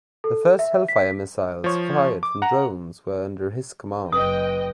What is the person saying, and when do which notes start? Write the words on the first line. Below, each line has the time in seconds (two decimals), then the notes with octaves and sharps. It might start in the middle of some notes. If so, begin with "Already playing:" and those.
The first Hellfire missiles fired from drones were under his command.
0.24 A4
0.59 E5
0.88 B6
1.64 F3 C#5
2.23 D6
2.42 F#5 A#5
4.12 F#1 B4 D#5 G5 D#6